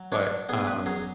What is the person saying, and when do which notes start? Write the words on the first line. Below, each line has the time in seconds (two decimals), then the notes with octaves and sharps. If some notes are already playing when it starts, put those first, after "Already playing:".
But, um
Already playing: F#3
0.12 D4 C#5
0.49 B3 G#4
0.67 B4
0.86 F#3 G#4